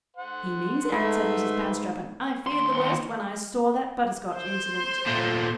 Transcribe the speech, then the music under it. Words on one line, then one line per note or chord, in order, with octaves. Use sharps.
"He means it," said Mrs. Panstreppon; "I feared the worst when I saw that butterscotch incident."
C5 F#5
G#2 A3 B4 E5 C6
D#2 C6
C5 C6
A#2 A3